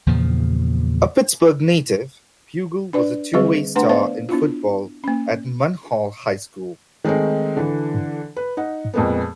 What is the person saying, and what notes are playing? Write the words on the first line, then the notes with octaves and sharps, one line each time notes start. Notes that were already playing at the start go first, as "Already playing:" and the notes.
A Pittsburgh native, Bugel was a two-way star in football at Munhall High School.
E2 A#2 C#3 F3
D4 B4 D5
D3 G3 C4 G#4 B4 D#5
A3 D4 B4 F#5 A#5 C6
B3 B4 C5 D5 F5
B3 D4 E4 F4
A#3 C#4
D#3 G#3 A3 C4 D#4
D3 E3
B4
D#4 F#5
F2 A#2 G#3 A#3 B3